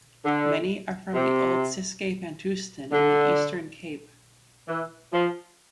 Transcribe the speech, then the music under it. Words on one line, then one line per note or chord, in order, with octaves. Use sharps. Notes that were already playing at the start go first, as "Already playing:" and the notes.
Many are from the old Ciskei bantustan in the Eastern Cape.
D3
C3
D3
E3
F3